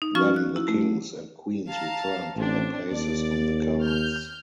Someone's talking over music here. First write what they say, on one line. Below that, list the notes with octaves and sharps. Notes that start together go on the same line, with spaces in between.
Then the kings and queens return to their places on the cards.
D#4
F3 C#4 F#4 C#6 F6
F#6
E4
A3
F5 A5 A#5
A1 C4 D4
D#2 D5
F6 G6